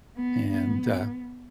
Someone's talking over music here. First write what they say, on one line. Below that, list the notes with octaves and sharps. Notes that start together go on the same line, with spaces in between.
and, uh,
B3
B3